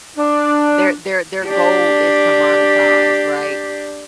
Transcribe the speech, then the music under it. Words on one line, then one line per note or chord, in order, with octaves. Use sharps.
their their their goal is to monetize, right?
D4
D4 G4